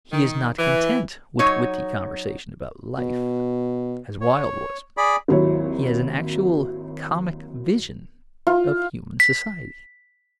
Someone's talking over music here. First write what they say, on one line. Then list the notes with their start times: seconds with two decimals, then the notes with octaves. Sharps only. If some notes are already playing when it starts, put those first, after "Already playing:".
He is not content with witty conversation about life, as Wilde was: he has an actual comic vision of human society.
0.12 D#3
0.59 E3
1.39 F#3 D#4 C#5
2.97 B2
4.21 C#5
4.97 G#4 D5 B5
5.28 G#1 D#2 F#3 E4 C#5
8.47 F4
9.20 B6